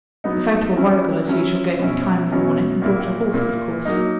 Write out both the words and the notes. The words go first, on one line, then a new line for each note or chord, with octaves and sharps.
'The faithful Warrigal, as usual, gave me timely warning, and brought a horse, of course.
F#3 B3 D#4
F#3 C#4 E4
F#3 C#4 E4
B2 F#3 C#4 E4
B2 F#3 C#4 E4
A#2 A#3 E4
A#2 A#3 E4
F#3 A#3 D#4